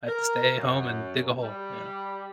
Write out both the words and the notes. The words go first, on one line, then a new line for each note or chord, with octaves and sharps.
I have to stay at home and dig a hole," you know.
A#4
F#2
G3